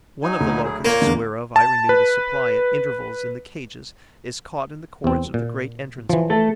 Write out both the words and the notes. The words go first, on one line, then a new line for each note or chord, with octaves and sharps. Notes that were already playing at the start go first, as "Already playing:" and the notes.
One of the Locusts whereof I renew the supply at intervals in the cages is caught in the cords of the great entrance-hall.
F#3 D#4 G#5
D2
F#3 G#4
A#2 A#3 C#5 G6
E2 D3
A5
B4
E2 C4
A#2
E3 F3
A3 A4